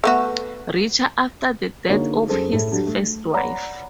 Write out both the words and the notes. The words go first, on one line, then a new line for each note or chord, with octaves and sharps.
Richer after the death of his first wife.
A3 B3 F#4
D3 A#3 D#4 F#4 G#4 C#5
F#2 G#4 A4 C5
A2 A4
F#3 G3 D4
A3
C#5 D5 F#5 A#5 B5